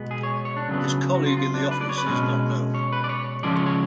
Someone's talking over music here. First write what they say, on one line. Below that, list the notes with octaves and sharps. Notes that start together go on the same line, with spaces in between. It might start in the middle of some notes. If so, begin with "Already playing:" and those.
His colleague in the office is not known.
Already playing: B2 G#3 B3
G#4
C#5
C#5
D4
C#3 F#3 B3
F#4
F4
F4
D4
B4
D5
C#5
B4
B2 G#3 C#4
C#5
B4
D5
C#5
C#3 F3 G#3 C#4 D5
C#5
C#5